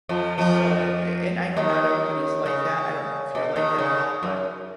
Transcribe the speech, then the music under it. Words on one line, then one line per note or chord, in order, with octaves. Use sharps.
so, eh, and I know not everybody's like that, I don't know if you're like that at all, but,
F2 F3
F2 F3
D#2 D#3
C#3
B2
D#2 D#3
C#3
F#2